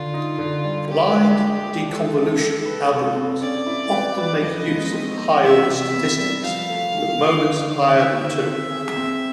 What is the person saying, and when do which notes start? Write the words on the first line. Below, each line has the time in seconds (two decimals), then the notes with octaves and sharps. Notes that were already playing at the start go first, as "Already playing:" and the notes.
Blind deconvolution algorithms often make use of high-order statistics, with moments higher than two.
Already playing: D3 F4
0.14 D#4
0.38 D3
0.64 G3
0.89 A#3 G4
1.15 D4
1.40 G#3
1.65 F4
1.89 G#3 A4
2.15 D#3
2.40 G4
2.65 B4
2.91 C3
3.16 C4
3.41 C#4 D5
3.66 E4
3.92 B4
4.17 B4
4.42 F3 D#5
4.67 G#3
4.92 C4
5.18 C4
5.43 E3 E5
5.68 C3
5.94 B3
6.18 G3
6.44 F3 F5
6.69 A3
6.94 D#3
7.19 D#3
7.44 D3
7.70 D3
7.94 D#3 E5
8.20 D#3
8.46 C4
8.71 G#4
8.96 C4